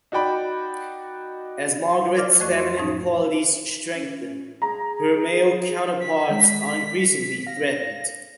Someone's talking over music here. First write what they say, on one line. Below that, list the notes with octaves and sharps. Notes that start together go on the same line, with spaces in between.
As Margaret's feminine qualities strengthen, her male counterparts are increasingly threatened.
D#4 F#4 D5 G5 B5
A#4 C5 D5 D6 F6
F2 F3 A3 F#4 D#5 C#6
C6
F2 A2 C#4 D#4
C#4
G#4 A#5
B6
D#3 G#3
F5 A#6